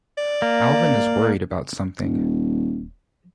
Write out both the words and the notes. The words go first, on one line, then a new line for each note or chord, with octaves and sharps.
Alvyn is worried about something.
D5
A#3
D#1